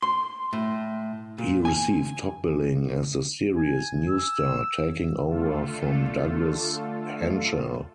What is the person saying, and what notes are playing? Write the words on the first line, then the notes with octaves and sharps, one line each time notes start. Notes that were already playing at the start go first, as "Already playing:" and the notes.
He received top billing as the series' new star, taking over from Douglas Henshall.
C6
A2
A#2
G#5
G#5
E6
D3 A3 F4 A4